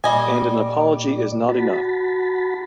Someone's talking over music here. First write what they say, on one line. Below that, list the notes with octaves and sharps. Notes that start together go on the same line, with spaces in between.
And an apology is not enough.
A#2 G3 D5 D#5 G#5
F#4 A5 B5